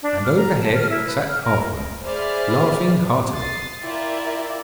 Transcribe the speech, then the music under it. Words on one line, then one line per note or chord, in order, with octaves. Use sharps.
And overhead sat Halfman, laughing heartily.
D4
F6
A#5
A5
F6
E4
B4
F6
A#4
G#4 C5 D5 E5 B5 F6
D#6 A6 C7
E4 F4 G4 A#4 D5 E5